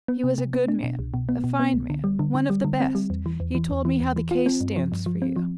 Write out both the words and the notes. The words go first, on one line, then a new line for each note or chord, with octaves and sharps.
He was a good man, a fine man, one of the best; he told me how the case stands for you.
B3
C3
C3
B3
D4
B2
C2
B2
B3
B2
B3
C2
D3
G3
D3
D3
G3
D3
C4
G3
E2
E3
E2
E3
E2
E3
E2
E3
F4
C4
G2
F3
G2
F3
C4
F3